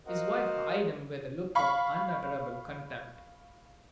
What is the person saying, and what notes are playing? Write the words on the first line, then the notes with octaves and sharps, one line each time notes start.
His wife eyed him with a look of unutterable contempt.
F#4 A#4 C5 D#5 F5 F#5
F5 B5 C#6